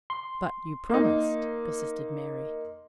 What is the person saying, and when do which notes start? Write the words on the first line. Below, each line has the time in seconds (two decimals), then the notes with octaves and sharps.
"But you promised," persisted Mary.
0.10 C6
0.90 A#3 D#4